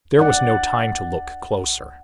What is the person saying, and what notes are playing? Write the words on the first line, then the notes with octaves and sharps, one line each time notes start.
There was no time to look closer.
D5 F#5